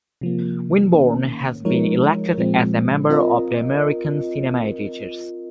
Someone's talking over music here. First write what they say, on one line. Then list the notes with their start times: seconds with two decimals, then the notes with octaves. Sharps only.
Winborne has been elected as a member of the American Cinema Editors.
0.21 C3 F3 A#3
0.94 D#3 A#3 C#4
1.65 F3 G#3 D#4 A#4 C#5
2.38 A#2 F3 G#3 C4
3.10 C4 F4 A#4 D#5